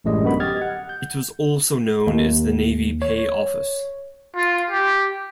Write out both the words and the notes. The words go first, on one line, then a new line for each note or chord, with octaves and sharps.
It was also known as the Navy Pay Office.
A1 F#2 A2 G3 G#3 D#5
F#2 D3 B3 F#4 B5
G4 D#5 F6 G#6 A6
F#5
G6
D#2
C#5
F4
G4